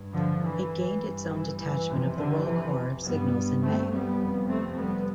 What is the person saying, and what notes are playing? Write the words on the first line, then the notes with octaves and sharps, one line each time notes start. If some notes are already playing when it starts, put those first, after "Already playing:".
It gained its own detachment of the Royal Corps of Signals in May.
Already playing: G2
D3 F3
E3
G2
E3
E3
F2 C3
D3
E3
G2 G3 B3
A3 C4
G3 B3
F2 C3
A3 C4
G3 B3